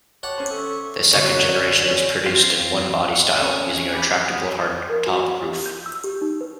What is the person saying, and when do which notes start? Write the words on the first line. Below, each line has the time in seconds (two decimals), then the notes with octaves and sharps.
The second generation was produced in one body style, using a retractable hardtop roof.
0.23 G4 C#5 F#5 A5
0.38 C#4 C5
0.50 A4 E5 C#6
1.13 D3 F#3 C#4
2.26 C4 F4
3.38 C#4 A4 G#5
3.91 G4 B5
4.27 D#6
4.90 A#4
5.07 F#4
5.44 G4
5.66 G6
5.86 E6
6.04 G4
6.21 D#4
6.41 B4